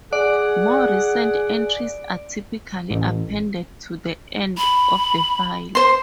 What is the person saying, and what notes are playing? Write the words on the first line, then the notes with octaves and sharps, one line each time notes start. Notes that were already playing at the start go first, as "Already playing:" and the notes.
More recent entries are typically appended to the end of the file.
G#4 D5 F#5
A1
B5
C5 C6